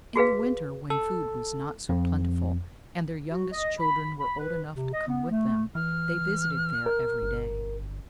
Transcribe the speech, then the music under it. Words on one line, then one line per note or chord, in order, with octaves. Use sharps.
In the winter, when food was not so plentiful and their youngest children were old enough to come with them, they visited there every day.
F#4 G#4 B4 F5
A4
F2
F#4
D#5
B5
B5
B4
C3
D#5
B3
A3
E3 F6
A#4
G1